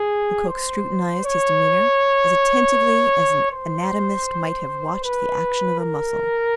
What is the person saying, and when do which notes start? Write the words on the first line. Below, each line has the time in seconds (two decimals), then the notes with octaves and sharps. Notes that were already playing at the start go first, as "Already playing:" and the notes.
Lecoq scrutinized his demeanor as attentively as an anatomist might have watched the action of a muscle.
Already playing: G#4
0.48 C5
1.25 C#5
3.52 C5
5.04 B4
5.79 A#4